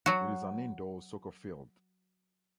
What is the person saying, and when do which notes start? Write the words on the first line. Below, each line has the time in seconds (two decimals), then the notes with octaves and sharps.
It is an indoor soccer field.
0.06 F#3 F#4